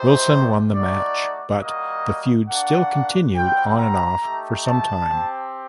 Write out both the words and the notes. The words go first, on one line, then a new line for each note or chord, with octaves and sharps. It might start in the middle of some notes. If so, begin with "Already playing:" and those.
Wilson won the match, but the feud still continued on-and-off for some time.
Already playing: A3 D#4 G4 C5
A3 D#4 F#4 D5
G3 A#3 F#4 D#5
A#3 D4 F#4 F#5
G3 C4 F#4 G5
A#5
A3 D#4 G4
A5
C4 G4